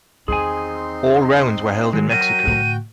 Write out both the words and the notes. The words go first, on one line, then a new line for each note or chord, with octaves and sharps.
All rounds were held in Mexico.
E2 D#3 C4 D#4 G#4 G#5 C6
D#3 F#3 G#3
F#3 F#4 A#4 G5 G6 D#7
A2 D3